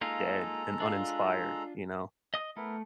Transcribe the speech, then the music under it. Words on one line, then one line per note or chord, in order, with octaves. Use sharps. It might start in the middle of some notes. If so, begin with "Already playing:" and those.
dead and uninspired, you know?
G#3 A#3 D#4 F4 A4 A#5
D4 F4
D#5 D#6
A3 B3 E4 A#4